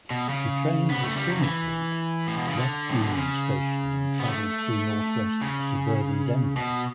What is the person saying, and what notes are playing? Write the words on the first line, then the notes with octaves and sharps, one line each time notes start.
The train's scenic route left Union Station and traveled through northwest suburban Denver.
B2
C#3
B3
A3
G3
F#3
E3
A2
B2
C#3
D3
A2
B2
C#3
B3
A3
C#3
B2